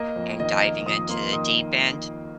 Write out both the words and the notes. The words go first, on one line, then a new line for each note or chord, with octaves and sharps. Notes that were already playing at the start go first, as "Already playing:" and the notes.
and diving into the deep end.
Already playing: A#3 D#5
F2
D#3 D#5
A#3
F2 D#6
A#3 C6
D#3 D#6